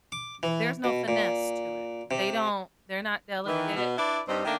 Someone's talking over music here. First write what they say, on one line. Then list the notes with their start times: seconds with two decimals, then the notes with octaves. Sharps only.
there's no finesse to it, they don't they're not delicate,
0.12 D6
0.43 E3
0.84 B2
1.08 A#2
2.11 C3
3.46 D#3 E3
3.76 B2
3.97 D4 E4 B4 D5
4.27 G2 G3 C4 D#4
4.45 D#3 A3 A#3 D4